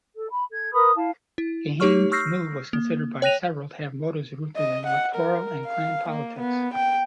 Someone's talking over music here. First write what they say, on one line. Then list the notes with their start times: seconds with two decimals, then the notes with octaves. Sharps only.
Kahin's move was considered by several to have motives rooted in electoral and clan-politics.
0.15 A4
0.29 B5
0.50 A4 G#6
0.73 A#4 B4 B5 D#6
0.96 E4 F5 A5
1.38 E4
1.80 A3 D#4 G4 C#5 C#6 F6
2.12 C#6 E6 F6 G6 A#6 C7
2.73 A#3
3.22 C#5 G5 F#6 A#6 D#7 F7
4.57 D#5
4.87 F#5
5.15 A#4
5.66 F5
6.09 A#3
6.39 B3
6.74 G5